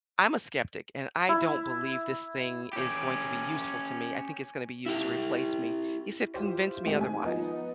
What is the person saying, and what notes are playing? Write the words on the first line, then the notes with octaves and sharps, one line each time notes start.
"I'm a skeptic, and I don't believe this thing is going to be useful to me, I think it's gonna be used to replace me." He said, "Convince me otherwise,"
E4
C#4 G4
E4 G4
E4 F4 G4 C5
G#3 A3 C4 G4
D#3 G#5
F3 B3 D#4